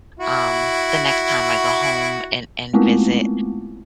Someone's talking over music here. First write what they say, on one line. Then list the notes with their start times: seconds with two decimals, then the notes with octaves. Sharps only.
um, the next time I go home and and visit.
0.19 E4 F#4
2.73 G#3 A3 B3 C4 E4 F4